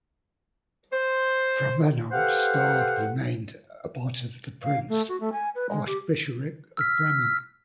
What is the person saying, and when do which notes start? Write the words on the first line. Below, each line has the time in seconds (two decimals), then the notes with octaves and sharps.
From then on Stade remained a part of the Prince-Archbishopric of Bremen.
0.92 C5
2.12 G4 A4 B4 C5 F5 F#5
4.64 F5
4.89 A3
5.09 F#4
5.20 A3
5.33 G#5
5.55 B4
5.69 G#3
5.87 G4
6.77 E6 F6 B6